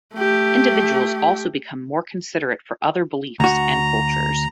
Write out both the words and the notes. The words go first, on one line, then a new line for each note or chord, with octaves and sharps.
Individuals also become more considerate for other beliefs and cultures.
A3 G4
D2 F#4 A#5